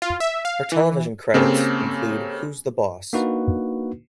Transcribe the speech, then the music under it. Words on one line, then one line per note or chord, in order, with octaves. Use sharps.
Her television credits include Who's the Boss?
F4
E5
F5
E3
C#3 A#3 C4 C#4 G4 A4
A#3 D4 D#4 F#4 B4